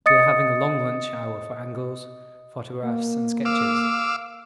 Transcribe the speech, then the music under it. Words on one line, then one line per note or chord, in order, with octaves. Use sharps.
We are having a long lunch hour for angles, photographs, and sketches.
D#5 D#6 A6 C#7
A#3
F5 D6 E6